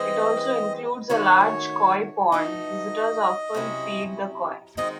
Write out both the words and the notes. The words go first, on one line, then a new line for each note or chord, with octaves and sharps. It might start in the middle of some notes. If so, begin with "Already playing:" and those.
It also includes a large koi pond; visitors often feed the koi.
Already playing: E3 G#3 C4 D#5
D#3 A3 C#4 F#4 C#5
E3 A3 D#4 F#4 D#5
C3 F#3 C#4 E4
D#3 G#3 C4 F#4 D#5